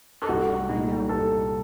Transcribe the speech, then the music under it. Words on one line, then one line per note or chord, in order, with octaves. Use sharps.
I couldn't, I know.
A4
C2 F#4
A#2 A3 D#4
C2 A4